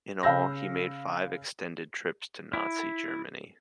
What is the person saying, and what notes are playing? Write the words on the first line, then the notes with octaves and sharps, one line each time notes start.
In all he made five extended trips to Nazi Germany.
C#3 F5 B5 E6 G6 A#6
E4